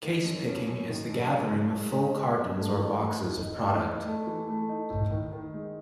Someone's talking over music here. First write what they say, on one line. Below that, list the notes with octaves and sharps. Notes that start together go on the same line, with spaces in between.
Case picking is the gathering of full cartons or boxes of product.
D#3
F#2
C#4
F#2
D#3
F#2
G#3
F#2
G#3
G#3
G#3
F#2
A3
E3
A2
A2
D#4
A2
D#4
A3
E3
A3
D#4
A2
D#3
D#3
G#3